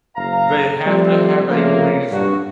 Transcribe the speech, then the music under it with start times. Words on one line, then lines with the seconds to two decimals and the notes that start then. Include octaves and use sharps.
They have to have a reason
0.17 F#1 F5 A#5
0.86 F3 G3 A3 C4
1.48 C#3 F3 A3 A#3
2.11 G2 F#4